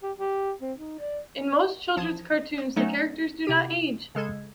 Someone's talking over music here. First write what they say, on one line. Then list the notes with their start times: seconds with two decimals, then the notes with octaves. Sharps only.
In most children's cartoons, the characters do not age.
0.03 G4
0.17 G4
0.61 C4
0.78 D#4
0.99 D5
1.96 A1 F3 A5 D#6 G#6
2.76 F#3 A3 B3 C#4 D#4 A4
3.45 C3 G4 D#7
4.15 C#3 G#3 A4 G#6